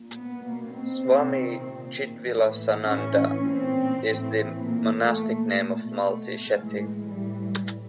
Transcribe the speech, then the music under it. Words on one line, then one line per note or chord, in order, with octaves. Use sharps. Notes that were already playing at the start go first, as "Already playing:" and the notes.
Swami Chidvilasananda is the monastic name of Malti Shetty.
Already playing: A#2
B3
B2 A#3
C4
C3 D#3
A#2
A2 E3
A2 E3 C#4
A#2 C4
A2 E3
A#2 A#3
A3
A#2
B2 A3
A2 E3 G#3
A2 E3 G3